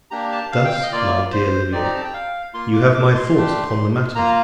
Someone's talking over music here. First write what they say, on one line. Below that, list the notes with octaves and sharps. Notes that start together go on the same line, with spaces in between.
Thus, my dear Livia, you have my thoughts upon the matter.
A#3 D4 G4 A#5
A5
F5
G5
F5
D#5
A#3 F4 D5
C5
C4 D#4 G4 D5
A#5
A5
G5
F5
A#3 F4 C6
D6
D6
C6
A3 D4 G4
A#3 F4 A#5